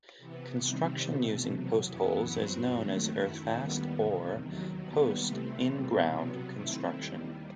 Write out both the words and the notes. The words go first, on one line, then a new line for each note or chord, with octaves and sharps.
Construction using postholes is known as earthfast or post in ground construction.
C3 E3 B3
C3 D#3 G3 C4
E2 B2 A3
E2 C3 F#3
F#2 E3 B3 E4
G2 F#3 C4 F#4
D#2 D#3 F#3 A3
F#2 D#3 A3 E4
D#2 D#3 G3 B3
E2 C3 D#3
D#2 D#3 F#3
D#2 D#3 G3 B3
C3 E3 A3 C4
E2 B2 G3 C4
C3 F#3 B3
D#3 A3 C4 E4
D#2 D#3 G3